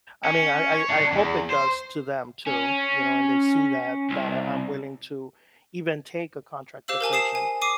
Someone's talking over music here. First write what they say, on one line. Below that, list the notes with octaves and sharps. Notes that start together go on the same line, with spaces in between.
I mean, I I I hope it does to them too, you know, and they see that that I'm willing to even take a contract position,
C#4
C#5
D4 C#5
E2
C5
C#4
C2
G4 C5 F5 E6 F#7
A#4 C5 G#5 A5
D#6 C7 E7
G#5
D6 D#6 C7 D#7